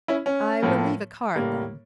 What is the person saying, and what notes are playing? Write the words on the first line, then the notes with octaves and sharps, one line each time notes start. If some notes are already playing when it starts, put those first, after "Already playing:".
"I will leave a card then."
C#4 E4
C#4
A2 F3 A#3
A2 G3 A#3